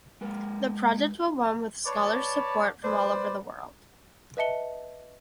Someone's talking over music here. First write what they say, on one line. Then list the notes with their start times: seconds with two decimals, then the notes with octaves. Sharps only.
The project will run with scholars support from all over the world.
0.21 G#3 A#4 B4
1.86 B4 C#5 D5 A5 B5
2.84 B4 C5 D5
4.37 B4 D#5 E5 A5 C#7 G7